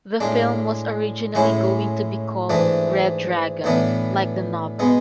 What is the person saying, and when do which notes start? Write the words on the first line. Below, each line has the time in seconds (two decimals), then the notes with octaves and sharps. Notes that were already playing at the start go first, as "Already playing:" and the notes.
The film was originally going to be called "Red Dragon", like the novel.
0.20 A2 G#3 D4
1.35 A2 G#3 C#4 E4
2.50 G#2 E3 A3 D4
3.64 A2 E3 B3 D4
4.79 B2 G#3 B3